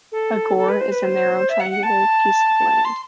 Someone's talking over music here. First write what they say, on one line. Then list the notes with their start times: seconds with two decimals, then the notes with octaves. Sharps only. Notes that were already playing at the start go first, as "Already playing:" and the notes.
A "gore" is a narrow, triangular piece of land.
0.12 A4
0.57 A4
0.68 B4
0.80 C5
0.91 B4
1.02 C5
1.49 E5
1.60 F#5
1.71 F#5
1.83 A5
2.84 C6